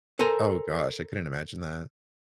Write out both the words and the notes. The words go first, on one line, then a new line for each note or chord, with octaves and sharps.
Oh gosh, I couldn't imagine that.
A4 A#4 C5 G#5 A#5